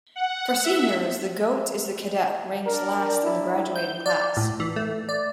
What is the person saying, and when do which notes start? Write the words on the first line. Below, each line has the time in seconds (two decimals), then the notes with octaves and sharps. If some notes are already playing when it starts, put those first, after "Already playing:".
For seniors, the "goat" is the cadet ranked last in the graduating class.
0.16 F#5
0.64 E5
2.66 D4 A#4 D5
3.24 E4
3.76 G6
4.06 D5
4.37 A2
4.60 E3
4.76 A3
5.09 D5